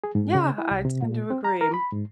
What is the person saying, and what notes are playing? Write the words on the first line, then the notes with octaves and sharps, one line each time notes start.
Yeah, I tend to agree
G#4
G#2
C#3
E4
C2
C3
A#2
C4
A#5
A#4
B5
G#2